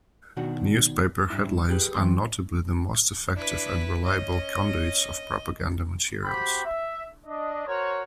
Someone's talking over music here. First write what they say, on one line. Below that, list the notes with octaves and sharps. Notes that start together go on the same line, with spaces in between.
Newspaper headlines are notably the most effective and reliable conduits of propaganda materials.
B2 D#3 D4 F#4
G2 E4
G4 G#4 B4
E3 C4 C6
D4 E4 B4
C#4 D#5
C4 F#4 G4 C5 G5 B5
E5
D4 D#5
F#4 A#4 C5 C#5